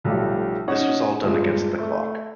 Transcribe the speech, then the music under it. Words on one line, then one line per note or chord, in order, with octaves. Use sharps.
This was all done against the clock.
B1 F3 G3 A3
C#4 D#4 C#5 F#5
G2 A#2 G#3
A3